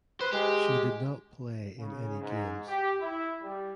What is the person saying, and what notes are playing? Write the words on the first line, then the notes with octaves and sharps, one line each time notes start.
She did not play in any games.
B4 C5
G#3 G4
C#3
G#2
G4
E4
G3